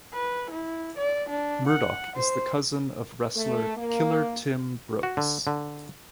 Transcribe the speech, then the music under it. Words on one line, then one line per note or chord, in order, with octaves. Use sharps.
Murdoch is the cousin of wrestler Killer Tim Brooks.
B4
E4
D5
D4
F#5
C5
A3
A#3
F#4
D3
D3